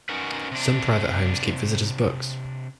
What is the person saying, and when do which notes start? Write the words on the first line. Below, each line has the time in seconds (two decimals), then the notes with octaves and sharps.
Some private homes keep visitors' books.
0.09 C#4 D#4 F#4 A#4 B4
0.51 C3 D4